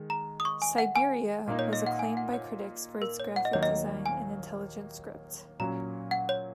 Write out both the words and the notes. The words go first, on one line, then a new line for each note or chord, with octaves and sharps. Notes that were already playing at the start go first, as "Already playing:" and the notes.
"Syberia" was acclaimed by critics for its graphic design and intelligent script.
Already playing: D#3 G#3
A#5
D#6
C#6
G#5
F#5
G#5
A#2 A#3 D#4
C#5
D#5
F#5
G#5
F#5
C#5
A#4
C#5
F#5
D#5
D#2 D#3 F#3 A#3 C#5
D#5
G#5
A#2 F#3 C#4 F#4 A#5
F#5
C#5